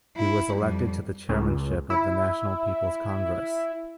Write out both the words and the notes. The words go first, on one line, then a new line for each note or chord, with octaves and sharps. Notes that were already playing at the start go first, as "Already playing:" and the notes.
He was elected to the chairmanship of the National People's Congress.
E4
F2 G3
C#2
E4